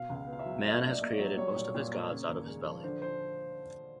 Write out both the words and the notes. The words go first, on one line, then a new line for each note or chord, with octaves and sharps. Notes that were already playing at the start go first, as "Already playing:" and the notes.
Man has created most of his gods out of his belly.
Already playing: B2 F5
C#2
F5
B3
F5
E5
F#3
A2 D#5
A#1
D5
A#3
C#5
F#3
G3 C#5
A#2
A#2
A#3
C#3
D#2
G#3
F3
D3 C5
C5